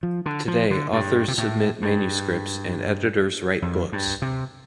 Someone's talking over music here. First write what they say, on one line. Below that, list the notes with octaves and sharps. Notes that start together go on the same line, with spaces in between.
Today authors submit manuscripts and editors write books.
F3
D3
F3
D3
G2
C3
A2
G2
F2
G2
C3